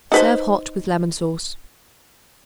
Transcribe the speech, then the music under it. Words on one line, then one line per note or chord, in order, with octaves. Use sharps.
Serve hot with lemon sauce.
D#4 B4 C5